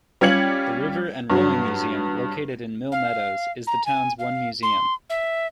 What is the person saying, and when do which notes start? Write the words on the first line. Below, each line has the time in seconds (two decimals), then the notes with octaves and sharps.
The River and Rowing Museum, located in Mill Meadows, is the town's one museum.
0.21 G3 C#4 F4 G#6 C#7 F#7
1.30 G2 F#3
2.92 F5
3.67 A#5
3.86 G#5
4.19 F5
4.63 C6
5.10 E5